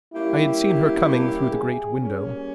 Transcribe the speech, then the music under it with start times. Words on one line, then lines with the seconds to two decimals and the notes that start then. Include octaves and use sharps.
I had seen her coming through the great window.
0.14 G3 A#3 C#4 E4 G4
1.52 G#4
1.98 G3 A#3 C#4 G#4